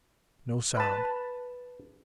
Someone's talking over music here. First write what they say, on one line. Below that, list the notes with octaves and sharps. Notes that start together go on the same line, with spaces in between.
No sound.
B4 A5